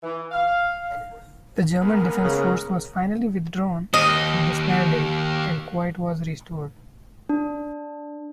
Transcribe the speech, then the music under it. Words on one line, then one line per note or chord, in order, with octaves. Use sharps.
The German defense force was finally withdrawn and disbanded and quiet was restored.
E3
F5
G#3 A#3 B3 A#4
C#3
D#2 D#5
D4